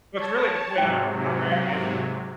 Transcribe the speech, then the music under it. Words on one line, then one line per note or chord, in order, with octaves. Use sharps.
So it's really between Ir Iran and Israel.
C#5 A5
G#2 C3 F#3 C#5 G5
F5